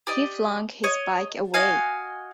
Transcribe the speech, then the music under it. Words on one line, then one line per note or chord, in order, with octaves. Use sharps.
He flung his bike away.
G4 D5 D#5
C#5 D#5
F#4 D#5 F5 G#5